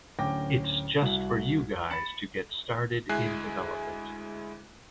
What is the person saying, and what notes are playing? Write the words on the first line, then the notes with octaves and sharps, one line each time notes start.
It’s just for you guys to get started in development.
D1 D2 C#4 G5 D6 A#6
C2 F#4 F#7
B5 A6 C#7 E7 F#7
D2 G#3 E4 G#5 F#6 C7